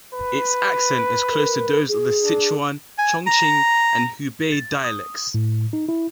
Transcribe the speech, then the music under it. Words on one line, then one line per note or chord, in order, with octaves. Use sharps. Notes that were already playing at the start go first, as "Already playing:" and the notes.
Its accent is close to those of the Sichuan, Chongqing, and Hubei dialects.
B4
A#4
G#4
D4
G#5
A#5
A6
D#6
A2
D#4
E4